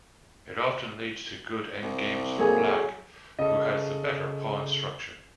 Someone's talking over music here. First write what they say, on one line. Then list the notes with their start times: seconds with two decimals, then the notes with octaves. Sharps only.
It often leads to good endgames for Black, who has the better pawn structure.
1.82 C2
2.38 F#3 A#3 G#4 A4 G#5
3.39 C#3 A4 D#5